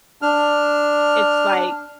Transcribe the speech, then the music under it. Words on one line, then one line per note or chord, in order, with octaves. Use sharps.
it's like
D4 F6